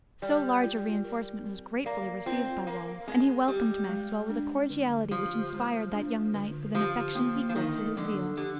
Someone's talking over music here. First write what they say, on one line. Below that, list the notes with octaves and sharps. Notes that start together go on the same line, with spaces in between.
So large a reinforcement was gratefully received by Wallace; and he welcomed Maxwell with a cordiality which inspired that young knight with an affection equal to his zeal.
G3 D5
F4
A#4
C4
A#3 D5
C4 F4
A#3 A#4
G#3 C4
G3 G4
G#3
D4
D3
F3 G4
G#3
D4
D3
F3 G4
F3 A#3
F3
D#3 D#4
D3 F3
D3 G4